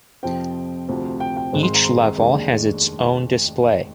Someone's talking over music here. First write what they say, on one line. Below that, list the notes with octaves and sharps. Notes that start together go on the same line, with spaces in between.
Each level has its own display.
F2 C3 F3 C4 G5
D2 C3 F3 C4
G5
G5
G#1 G#2 D#3 G#3 C4
C6
A#5
C6
F1 D#2 D#3 G#3 D4